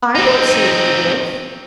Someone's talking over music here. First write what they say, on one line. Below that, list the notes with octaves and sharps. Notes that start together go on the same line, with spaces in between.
'I don't see any wolf.'
C4 D#4